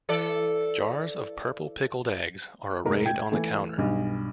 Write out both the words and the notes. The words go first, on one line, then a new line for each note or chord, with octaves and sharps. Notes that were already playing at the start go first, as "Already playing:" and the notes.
Jars of purple pickled eggs are arrayed on the counter.
E3 A4 D5
F1 G#2 A#4 A#5
G5 G#6
E3 A3
B1 G2